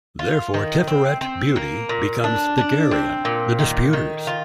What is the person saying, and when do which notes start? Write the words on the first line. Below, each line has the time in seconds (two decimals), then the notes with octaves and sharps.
Therefore Tiferet, beauty, becomes Thagirion, the disputers.
0.19 F4
0.54 D#3
0.87 C4
1.21 C4
1.56 A#3
1.89 A#2
2.24 D4
2.58 D4
2.91 C4
3.25 A#2
3.60 D#3
3.93 D#3
4.27 F4